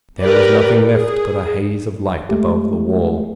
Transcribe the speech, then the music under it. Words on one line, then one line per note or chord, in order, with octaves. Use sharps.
There was nothing left but a haze of light above the wall.
G4 A#4 B4 D5
G#4
G#3 A3 G4